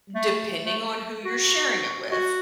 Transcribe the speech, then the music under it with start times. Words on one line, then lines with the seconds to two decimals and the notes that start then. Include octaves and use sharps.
depending on who you're sharing it with,
0.15 A3
0.66 A3
1.25 F#4
2.12 F#4